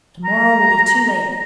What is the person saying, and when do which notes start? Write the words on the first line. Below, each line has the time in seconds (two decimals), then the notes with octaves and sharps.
"To-morrow will be too late."
0.25 A#5